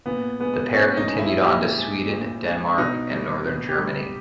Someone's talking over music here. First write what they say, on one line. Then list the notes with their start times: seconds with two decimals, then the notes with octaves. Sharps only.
The pair continued on to Sweden, Denmark and northern Germany.
0.06 A#2 B3
0.40 G#3 B3
0.74 A#2 C#4
0.97 D#4
1.07 G#3
1.19 E4
1.42 A#2 G4
1.76 G#3
2.09 A#2
2.43 G#3
2.78 B2 D#4
3.11 G3
3.45 B2
3.68 G4
3.79 G3